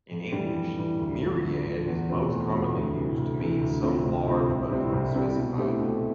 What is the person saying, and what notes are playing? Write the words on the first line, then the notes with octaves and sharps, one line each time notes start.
In English, "myriad" is most commonly used to mean "some large but unspecified number".
F2
E3 G3
F2
E3 G3
D2
D3 F3
D2
D3 F3
E2
B2 A3 C4 F4
E2
B2 A3 C4 F4
D2
C3 E3
D2
C3 E3
D2
C3 F3 C4
D2
C3 F3 C4
C2
C3 G3 C4 E4
C2
C3 G3 C4 E4
B2
A3 C4 E4 G4
B2